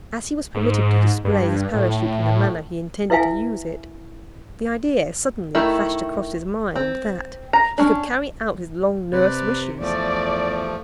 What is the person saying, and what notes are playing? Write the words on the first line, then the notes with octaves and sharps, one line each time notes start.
As he was permitted to display his Parachute in the manner he intended to use it, the idea suddenly flashed across his mind that, he could carry out his long-nursed wishes.
G#2
G2
A2
E4 B4 E5 F5 G#5
D#3 A3 E4
C4
A#5
C#4 D4
C3 B4 D5
E2 F3 A3 D5